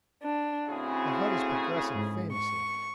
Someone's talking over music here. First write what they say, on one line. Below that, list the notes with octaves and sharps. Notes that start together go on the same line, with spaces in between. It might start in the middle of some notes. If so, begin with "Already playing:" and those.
The hut is progressing famously.
D4
A2 C#3 C4 E4 F#4 G#4
G#2
C#6